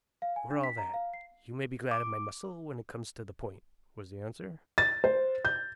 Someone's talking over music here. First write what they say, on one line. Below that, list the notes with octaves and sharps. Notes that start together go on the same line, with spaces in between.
"For all that, you may be glad of my muscle when it comes to the point," was the answer.
F5
G#5
D4
B6
A#5
F5
C7
D6
A6
C5
G6